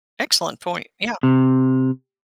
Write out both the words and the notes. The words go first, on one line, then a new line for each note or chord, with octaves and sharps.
Excellent point, yeah.
C3